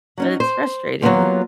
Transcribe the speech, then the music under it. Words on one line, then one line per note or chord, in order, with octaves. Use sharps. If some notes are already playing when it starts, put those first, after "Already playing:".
But it's frustrating.
F#3 C#4 D#4
C5
F#3 A#3 B3 C#4 F4 G4